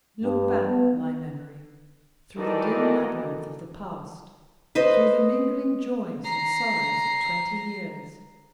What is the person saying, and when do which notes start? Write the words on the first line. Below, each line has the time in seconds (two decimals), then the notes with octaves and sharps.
LOOK back, my memory, through the dim labyrinth of the past, through the mingling joys and sorrows of twenty years.
0.24 G2
0.68 B3
2.37 D#3 E3 F#4 A4 D5 D#5
4.75 B4 C5 D#5
6.24 A#5 C7